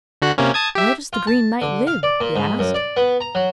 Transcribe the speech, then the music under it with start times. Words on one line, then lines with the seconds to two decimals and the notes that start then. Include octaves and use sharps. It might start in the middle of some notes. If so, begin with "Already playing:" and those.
'Where does the Green Knight live?' he asked.
0.22 D3 F#4 F#6
0.38 C3 A#3 C#4
0.54 A5 D#6 G#6
0.75 G4 E5
1.13 F4
1.27 A5
1.62 D3
1.87 F5
2.03 D5
2.21 A#2
2.36 G#2
2.59 F#2
2.74 D5
2.97 B3
3.21 A#5
3.35 F#3